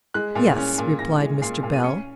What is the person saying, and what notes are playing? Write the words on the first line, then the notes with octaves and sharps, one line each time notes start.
'Yes,' replied Mr. Bell.
G#3 F#6
A#2
C#4
A#2
A#2 A#6
G#3
A#2 C7
A#2
D#7
C#4 C#7